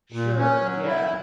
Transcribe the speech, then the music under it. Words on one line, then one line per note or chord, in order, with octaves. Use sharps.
Sure, yeah.
A#2
C#4
F#3
E4